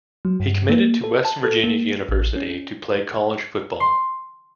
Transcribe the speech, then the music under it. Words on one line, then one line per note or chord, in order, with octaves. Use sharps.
He committed to West Virginia University to play college football.
F#3
G2
A#3
A4
A5
A4
A#3
A1
C#4
C6